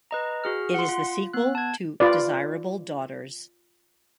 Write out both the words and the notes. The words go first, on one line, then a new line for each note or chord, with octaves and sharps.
It is the sequel to "Desirable Daughters".
B4 D#5 A#5
F#4 G#4 F6
F#5 C6
F4
B3 F#6
A5 G#6
F4 B4 D5